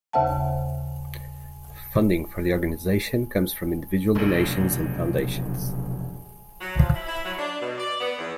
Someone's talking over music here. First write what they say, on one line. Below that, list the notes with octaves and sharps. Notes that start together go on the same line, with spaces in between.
Funding for the organization comes from individual donations and foundations.
D#2 C#3 C5 E5 F#5 A5
F1 B1 E2 D3
F#3
F3
E4
E4
F#3
D4
B2
D5
B3
E2